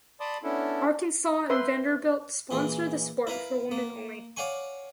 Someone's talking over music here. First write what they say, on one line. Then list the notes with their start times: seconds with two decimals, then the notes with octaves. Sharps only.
Arkansas and Vanderbilt sponsor the sport for women only.
0.20 D5 A5 B5 C6 D6 D#6
0.43 B3 C#4 D4 E4 A4
1.50 B4 C5 E5 C6
2.51 A#2 E3 G#4
3.27 E4 A#4 B4 F5
3.71 A#3
4.37 C#5 D5 F5 F#5 G#5 C#6